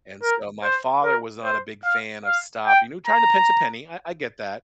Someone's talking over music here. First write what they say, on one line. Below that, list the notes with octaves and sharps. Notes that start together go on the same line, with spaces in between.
and so, my father was not a big fan of stopping, no trying to pinch a penny, I I get that.
A#4
C5
A#4
C5
F5
F5
G5
A#5